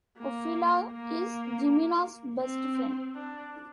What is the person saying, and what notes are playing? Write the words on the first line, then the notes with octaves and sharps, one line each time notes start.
Ofelia is Jimena's best friend.
A#3
A#3
C4
D4